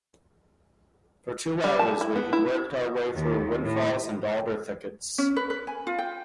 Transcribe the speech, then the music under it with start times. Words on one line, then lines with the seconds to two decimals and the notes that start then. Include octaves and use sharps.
For two hours we had worked our way through windfalls and alder thickets.
1.64 G3
1.79 A5
2.01 E4
2.15 B3
2.33 E4
3.13 D#2
3.61 A2
5.18 C#4
5.36 B4
5.50 B4
5.67 G#5
5.87 F4
5.99 G5